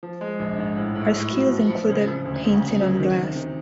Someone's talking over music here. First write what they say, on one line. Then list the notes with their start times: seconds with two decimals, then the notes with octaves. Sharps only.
Her skills included painting on glass.
0.03 F3
0.21 G#3
0.39 A#1
0.58 G#2
0.77 A2
0.95 A2
1.14 A2
1.32 F#3
1.51 F3
1.69 F3
1.88 C#3
2.07 F3
2.25 D2
2.44 D2
2.62 C#3
2.80 F#3
3.00 D#3
3.18 C3
3.36 D#3